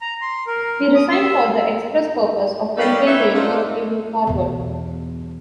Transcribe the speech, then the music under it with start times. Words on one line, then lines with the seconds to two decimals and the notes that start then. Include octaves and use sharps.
He resigned for the express purpose of helping the university move forward.
0.01 A#5
0.22 C6
0.47 A#4
0.95 D#6
1.11 E5
2.77 G3 C#4 D#4 G4 A4 B4
3.06 D#4 B4 C#5 E5
3.34 A3 C4 D4 D#4 F4
4.27 E2 B2